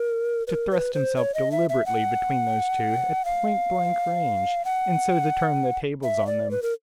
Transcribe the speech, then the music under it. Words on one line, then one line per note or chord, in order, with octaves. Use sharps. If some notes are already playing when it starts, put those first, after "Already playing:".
To thrust himself deliberately between those two, at point-blank range, and so turn the tables on them!
Already playing: A#4
B4
A#4
B4
C5
C#5
D#5
E5
E5
F#5
F5
F#5
E5
D5
B4
A#4